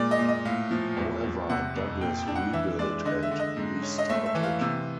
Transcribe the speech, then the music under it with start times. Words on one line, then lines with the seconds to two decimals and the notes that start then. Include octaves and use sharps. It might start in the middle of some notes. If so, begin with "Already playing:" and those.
However, Douglas rebuilt and restarted.
Already playing: A#2 G#3 D5
0.11 D#5
0.19 A#2
0.29 D#5
0.45 A2 F5
0.71 F3
0.97 E2
1.23 E2
1.49 C3 F#5
1.76 F2
2.01 A#2 G5
2.18 G5
2.27 D4
2.35 F#5
2.53 E3 E5
2.79 G#3 D5
3.05 D3 D#5
3.23 E5
3.31 D3
3.39 D#5
3.57 G#2
3.82 C#4
3.98 D#5
4.09 A3 E5
4.26 E5
4.35 E3
4.43 F5
4.61 C3